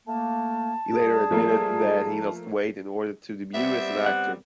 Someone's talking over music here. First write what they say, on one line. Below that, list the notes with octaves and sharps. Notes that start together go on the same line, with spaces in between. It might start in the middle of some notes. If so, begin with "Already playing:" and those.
He later admitted that he lost weight in order to debut as an actor.
A3 A#3 A5
G3 G#4
F3 A3 A#3
G3 B3 C4 E5
F#5